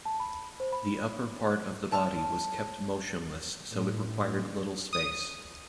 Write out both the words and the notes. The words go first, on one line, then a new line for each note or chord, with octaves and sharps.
The upper part of the body was kept motionless so it required little space.
A5
B5
C5
B5
C#5 A5 E6 F6
A2
D#6